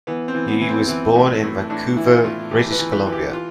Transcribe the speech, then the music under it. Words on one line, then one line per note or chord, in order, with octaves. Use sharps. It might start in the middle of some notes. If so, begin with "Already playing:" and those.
He was born in Vancouver, British Columbia.
E3 B3
C4
E3
B3
E3
C4
E3 C4
A2
A2
A2 D4
E3 E4
A2 F4
E3 G4
B4
E3
B4
E3
G4
F4